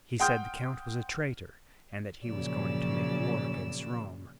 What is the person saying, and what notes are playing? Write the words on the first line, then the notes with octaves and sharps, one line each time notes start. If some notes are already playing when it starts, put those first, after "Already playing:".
He said the count was a traitor, and that he was going to make war against Rome.
F#5 G5 C6 D#6 F6 G6
A#2 C#3 F3 F#3 D5 E6